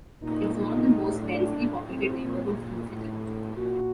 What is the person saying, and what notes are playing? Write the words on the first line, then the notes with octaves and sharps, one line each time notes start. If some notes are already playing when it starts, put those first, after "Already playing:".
It is one of the most densely populated neighbourhoods in the city.
A#2 D#4
D#4
A2
D4
A2
C4
A#2
A2
A#2 F#4